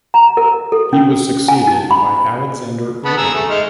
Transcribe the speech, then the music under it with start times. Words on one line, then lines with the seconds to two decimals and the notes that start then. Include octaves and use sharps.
He was succeeded by Alexander Irving.
0.14 A#5
0.37 A#4
0.72 A4
0.93 C#4
1.48 G#5
1.67 D#4
1.91 B5
3.05 B3 A5 B5
3.17 G#4 A#5 E6
3.34 A3
3.50 G#3 D#4 F6